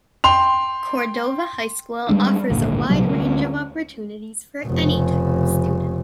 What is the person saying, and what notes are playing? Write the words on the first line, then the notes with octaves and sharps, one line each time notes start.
Cordova High School offers a wide range of opportunities for any type of student.
G5 C6 F7
G3 G#3 D4
G#1 D2 G2 A#2
A#1 C3 F#3 G3
D2 C#4
F1 C#3